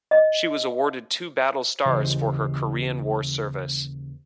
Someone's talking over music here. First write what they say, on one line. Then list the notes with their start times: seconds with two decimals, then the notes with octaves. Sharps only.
She was awarded two battle stars for her Korean War service.
0.11 D#5
1.86 D#2 C#3 E3 G4 C5 D#5